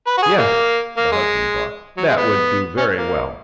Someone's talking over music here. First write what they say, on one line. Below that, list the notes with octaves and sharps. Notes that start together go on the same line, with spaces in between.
Yes, the husband thought that would do very well.
B4
F#4
G#4
A#3
A#3
G#3
F#3
G#3
B3
C#4
A#3